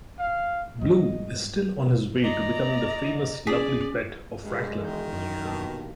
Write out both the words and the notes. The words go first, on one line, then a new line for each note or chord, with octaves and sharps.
Blu is still on his way to becoming the famous lovely pet of Franklin.
F5
G#2 G3 D#5
D5 D#5 A#5
C#4 G#4 D5 B6
G2 G#3
E1 D#3 D#4 G6
F#2
B2 A#3 G4 A5